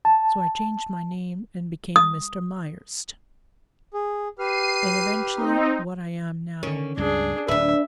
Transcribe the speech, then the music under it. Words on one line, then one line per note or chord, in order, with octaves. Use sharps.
So I changed my name and became Mr. Myerst, and eventually what I am now.
A5
D#6
G#4
G4 B4 F6 C7 D#7
C4 D#4
D3 D#3 C#4
C#2 G2 D4 G#4
D1 D4 B4 E5